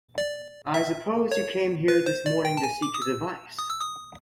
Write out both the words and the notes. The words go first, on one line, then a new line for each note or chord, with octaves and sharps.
I suppose you came here this morning to seek his advice?
D5
E5
C#5
B4
C5
D5
G5
A5
G#5
D6
D#6
E6
D#6
E6
D#6